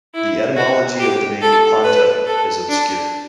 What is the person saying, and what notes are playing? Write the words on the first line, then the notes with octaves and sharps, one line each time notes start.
The etymology of the name Ponto is obscure.
E4
F#4
G4
A4
B4
A4
D4